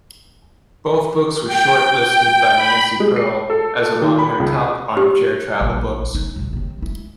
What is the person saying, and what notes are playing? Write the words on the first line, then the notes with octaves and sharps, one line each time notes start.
Both books were shortlisted by Nancy Pearl as among her top armchair travel books.
G5
G5
B5
G#3
C7
A4
D#3
B5
C#2
G4
A#1
C#4 D#4
E1 B1
D#2 C4
G#3 E4